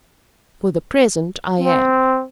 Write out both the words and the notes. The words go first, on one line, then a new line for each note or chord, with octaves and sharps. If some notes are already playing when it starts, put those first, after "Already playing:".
"For the present I am."
C4